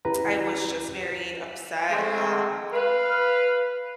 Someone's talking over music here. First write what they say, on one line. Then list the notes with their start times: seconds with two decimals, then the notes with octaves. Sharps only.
I was just very upset, um,
0.05 D#2 C#4 E4 G4 B4 A#5
1.89 G#3 A3 C4
2.72 B4 F5